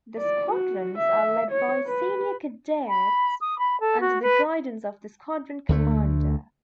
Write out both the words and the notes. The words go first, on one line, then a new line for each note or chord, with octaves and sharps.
The squadrons are led by senior cadets under the guidance of the squadron commander.
D5
F#4
E5
C#5
B4
B5
D#6
B5
A4
F#4
B4
D2 D3 A3